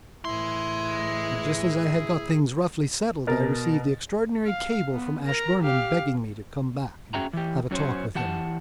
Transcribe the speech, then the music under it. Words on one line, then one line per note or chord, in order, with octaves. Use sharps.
And just as I had got things roughly settled I received the extraordinary cable from Ashburnham begging me to come back and have a talk with him.
A2 E3 E4 G#4 C6
B2 A#4 A6
F5
B3
A#4 A#5
G4 F5
C#4 F#4 G#4 E5 G5 A#5
E3 G4
F#2 F#3 C#4 C5
E3 G4 F#5 A5